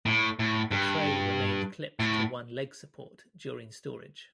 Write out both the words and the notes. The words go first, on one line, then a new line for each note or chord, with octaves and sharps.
The tray remained clipped to one leg support during storage.
A2
A2
G2
A2